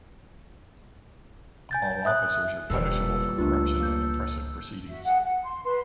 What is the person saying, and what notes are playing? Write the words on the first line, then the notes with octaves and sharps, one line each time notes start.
All officers are punishable for corruption and oppressive proceedings.
G#5 G6 A6
E5 D#6 F#6
E1 A#2 D3 E3 G3 A4
C#2 A3 D4 F4
A#3 G6
F#4 E5
G#4 F5 F#5
F#5
C6
B4 C6